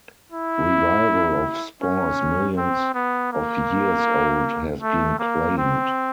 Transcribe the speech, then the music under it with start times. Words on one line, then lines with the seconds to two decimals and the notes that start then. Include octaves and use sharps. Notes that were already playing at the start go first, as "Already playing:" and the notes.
Revival of spores millions of years old has been claimed.
0.32 E4
1.83 C#4
2.57 C4
2.95 B3
3.32 A#3
4.82 A3
5.20 A#3
5.58 C4